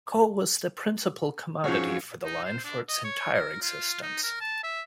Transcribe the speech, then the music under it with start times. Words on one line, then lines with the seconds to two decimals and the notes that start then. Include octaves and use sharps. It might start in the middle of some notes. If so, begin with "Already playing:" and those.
Coal was the principle commodity for the line for its entire existence.
1.64 G#2 F3 C#4 F4 F#4 G#4 C#5
2.25 D#4
2.45 C5
2.64 D4
2.89 D#5
3.04 C#5
3.34 A#4
3.62 F4
4.03 D#4
4.23 A#4
4.40 A5
4.64 E5